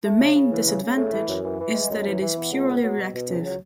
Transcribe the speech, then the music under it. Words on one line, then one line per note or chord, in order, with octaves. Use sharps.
The main disadvantage is that it is purely reactive.
A3
C#3
C#3
E3
C#3
C#3
A3
E3
F#2
E3
E3
G#3
F#2
E3
E3
B3
C#2
B3
F#3
B2
B2
C#2
F#3